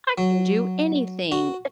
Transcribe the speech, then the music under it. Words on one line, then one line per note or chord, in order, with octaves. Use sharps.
"I can do anything."
F#3
F#4